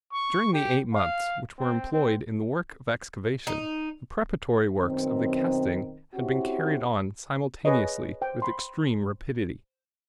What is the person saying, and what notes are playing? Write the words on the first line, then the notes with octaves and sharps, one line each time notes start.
During the eight months which were employed in the work of excavation the preparatory works of the casting had been carried on simultaneously with extreme rapidity.
C#6
G4
F5
C4
C4
D#4
F#2 B2 D#3 C4
C4 C#4 E4 F#4 G4
G#4 B4 C#5 D#5
C5 G5
B5 C6